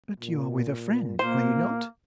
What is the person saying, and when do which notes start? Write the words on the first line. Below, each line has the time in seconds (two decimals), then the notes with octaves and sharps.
"But you are with a friend, are you not?"
0.20 A#2
1.19 A#2 A#3 C5